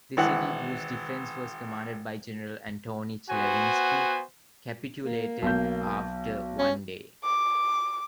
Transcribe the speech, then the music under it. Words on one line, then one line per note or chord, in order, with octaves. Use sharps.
The city, whose defense was commanded by General Antoni Chlewinski, capitulated after one day.
G#1 E3 F#5
B3 F#4 C5 G#5
A#3
B1 G6
C#4
D6